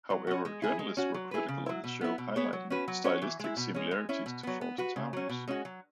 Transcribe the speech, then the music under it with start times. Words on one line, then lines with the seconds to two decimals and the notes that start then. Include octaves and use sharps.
However, journalists were critical of the show, highlighting stylistic similarities to "Fawlty Towers".
0.10 F#3
0.27 C#4 F#4
0.45 G#3
0.62 E4 G#4
0.79 G#3
0.97 C#4 F#4
1.14 F#3
1.31 E4 G#4 B4
1.49 C#3
1.66 F#3 E4
1.84 B2
2.01 B3 E4
2.18 B2
2.36 B3 G#4 C#5
2.53 F#3
2.70 C#4 F#4 B4
2.88 F#3
3.04 C#4 F#4 C#5
3.22 E3
3.40 G#3 E4
3.57 B2
3.75 G#3 C#4
3.91 G#3
4.09 C#4 E4
4.26 B2
4.43 F#3 B3
4.61 B3
4.78 F#4 B4
4.96 C#3
5.13 F#3 C#4
5.29 B2
5.48 G#3 C#4 F#4
5.65 F#3